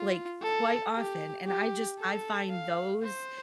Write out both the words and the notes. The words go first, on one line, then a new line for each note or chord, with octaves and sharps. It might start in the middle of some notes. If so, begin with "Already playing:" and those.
like, quite often, and I just I find those
Already playing: F4
A4
G4
G4
A4
F5
C5